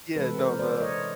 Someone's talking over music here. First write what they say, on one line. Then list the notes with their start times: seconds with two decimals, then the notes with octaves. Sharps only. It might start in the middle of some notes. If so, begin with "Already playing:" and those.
Yeah, no the
0.16 C3 E3 G#3 A4 B4
0.38 A#4 C5
0.59 C5 D5
0.81 C#5 D#5